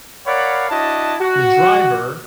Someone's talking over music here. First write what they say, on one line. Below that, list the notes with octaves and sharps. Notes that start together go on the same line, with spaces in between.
the driver,
A#4 C#5 D5 F5 F#5 B5
D4 E4 F#4 D#5 A5
F#4